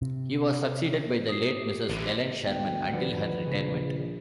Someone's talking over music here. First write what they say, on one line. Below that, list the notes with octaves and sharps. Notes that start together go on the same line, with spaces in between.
He was succeeded by the late Mrs. Ellen Sherman until her retirement.
C3
G4 D#6 C7
A1 D3 E3
D2 B3 G5
D#3 F3 B4 D5 F#5
A#1 C#3 G#4